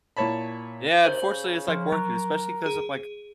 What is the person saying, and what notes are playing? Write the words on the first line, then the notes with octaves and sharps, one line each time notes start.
Yeah, unfortunately, it's, like, working, especially 'cause of, like,
A#2 E4 C#5 A5 B5
D#2 C5 G6 F#7
C#3
F3
F#3 A#4
G#4